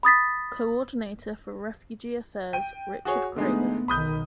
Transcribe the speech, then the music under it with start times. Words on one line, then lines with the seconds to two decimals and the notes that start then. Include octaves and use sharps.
Coordinator for Refugee Affairs, Richard Krieger.
0.03 B5 D#6 A6 B6
2.53 G5 D#7
3.05 F#4 G#4 C#5
3.36 D3 G#3 A3 B3 D#4
3.88 B1 D#3 B5 D#6 G6